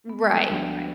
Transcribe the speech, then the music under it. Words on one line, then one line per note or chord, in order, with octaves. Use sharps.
Right, right,
B3
G#3
G3
D2 D3 F3 G3 B3 D4